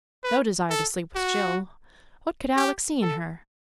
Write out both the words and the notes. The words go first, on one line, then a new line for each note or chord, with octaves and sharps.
No desire to sleep with Jill, what could Alec see in her?
B4
A4
F#4
G4
A4